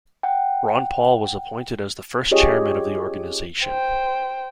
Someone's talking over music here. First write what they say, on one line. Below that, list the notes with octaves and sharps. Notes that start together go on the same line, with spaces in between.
Ron Paul was appointed as the first chairman of the organization.
F#5 G5
C#4 F4 G4 G#4 C#5 D#5
C5 G5